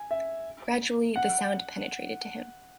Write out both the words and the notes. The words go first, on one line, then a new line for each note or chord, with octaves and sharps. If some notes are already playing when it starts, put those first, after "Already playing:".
Gradually the sound penetrated to him.
Already playing: G#5
E5
F#5